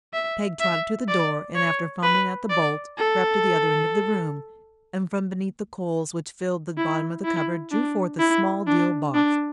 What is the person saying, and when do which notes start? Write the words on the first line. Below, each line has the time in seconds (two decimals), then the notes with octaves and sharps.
Peg trotted to the door, and after fumbling at the bolt, crept to the other end of the room, and from beneath the coals which filled the bottom of the cupboard, drew forth a small deal box.
0.13 E5
0.60 E5
1.08 D5
1.55 C#5
2.03 B4
2.50 D5
2.98 A4
6.77 E4
7.25 E4
7.71 D4
8.19 E4
8.67 D4
9.15 D4